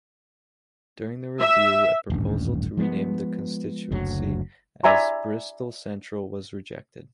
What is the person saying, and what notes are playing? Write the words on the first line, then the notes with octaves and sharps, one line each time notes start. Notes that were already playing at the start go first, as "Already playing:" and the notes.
During the review, a proposal to rename the constituency as "Bristol Central" was rejected.
E5
D#1 A1 G2
F3 G#3 A3 B3
F#1 D2 F#3
D5 E5 G#5 A#5 C6